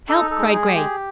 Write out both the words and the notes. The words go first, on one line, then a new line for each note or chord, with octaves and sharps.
"Help!" cried Grace.
D#4 A4
A4
G#3
G#4
G4
G#4